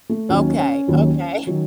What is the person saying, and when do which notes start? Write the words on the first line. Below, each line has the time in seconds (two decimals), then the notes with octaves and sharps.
Okay, okay.
0.09 A3
0.29 D#2 D#3 F#3 C#4
0.59 C#4
0.88 D#2 D#3 F#3
1.47 D#3 F#3